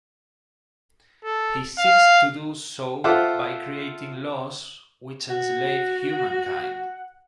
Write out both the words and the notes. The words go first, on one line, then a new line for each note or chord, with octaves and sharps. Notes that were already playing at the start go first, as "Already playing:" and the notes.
He seeks to do so by creating laws which enslave humankind.
A4
F5
F4 A4 C5 E5 F#5 D6
F#4 F#5